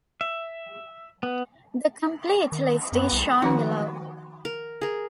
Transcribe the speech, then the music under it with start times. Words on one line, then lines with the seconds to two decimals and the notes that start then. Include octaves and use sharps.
The complete list is shown below.
0.21 E5
1.23 B3
2.52 D#3
2.92 F#2 B3
3.12 C2
3.42 D#3 F3 D#4 F#4
4.45 A#4
4.81 G#4 A#4